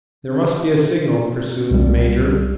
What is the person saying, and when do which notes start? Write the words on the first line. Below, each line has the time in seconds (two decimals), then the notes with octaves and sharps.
"There must be a signal," pursued the major.
1.71 C2 G3